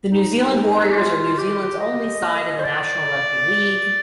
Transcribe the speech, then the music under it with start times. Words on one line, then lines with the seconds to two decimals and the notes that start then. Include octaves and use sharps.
The New Zealand Warriors are New Zealand's only side in the National Rugby League.
0.12 D#4
0.91 G4
0.96 F4
1.38 G4
1.80 D#5
2.60 C5
2.64 D5